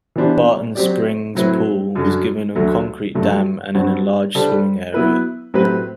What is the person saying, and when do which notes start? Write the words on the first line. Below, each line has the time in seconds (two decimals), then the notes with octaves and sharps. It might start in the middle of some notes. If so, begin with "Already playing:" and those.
Barton Springs Pool was given a concrete dam and an enlarged swimming area.
0.16 E3 B3 D4 G4 C5
0.75 F#3 C4 G4 D5
1.35 A2 F#3 C4 E4 B4
1.95 F#2 D3 F#3
2.55 D2 D3 F#3 A3
3.15 G2 D3 F#3 A3
3.75 G2 F#3 C4 F#4
4.35 D3 G3 D4 A4 C5
4.94 F#3 B3 E4 B4
5.54 A2 F#3 C4 G4 B4